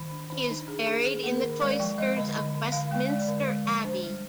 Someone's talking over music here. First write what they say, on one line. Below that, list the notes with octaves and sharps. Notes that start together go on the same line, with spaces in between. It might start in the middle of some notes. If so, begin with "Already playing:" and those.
He is buried in the cloisters of Westminster Abbey.
Already playing: D#3
D4
D#3
D4 D#4
D4 G#4
D4 G#4
D#3 G#4
A#3
A#4
D#3
G#3 D5
F3 G5
G#3 D#5
D3 D#5
D3
D3
D3 F5
G#3 G5
G#3 D5
D3
G#3
F3
D4 C5
G3